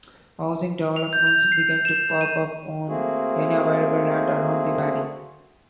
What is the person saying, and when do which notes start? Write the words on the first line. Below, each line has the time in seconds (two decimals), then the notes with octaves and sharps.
Housing developments began to pop up on any available land around the Valley.
0.96 F7
1.13 G6
1.27 F7
1.52 C7
1.85 E7
2.21 D#7
2.88 A3 A#3 C4 F#4 G#4